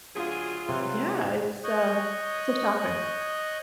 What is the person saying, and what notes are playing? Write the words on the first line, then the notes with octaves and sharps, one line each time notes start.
Yeah, it's, um, it's a shocker.
D2 F#3 F4 G#4
C3 E3 F#3
C#5 D#5 C#6 D#6 F#6 G6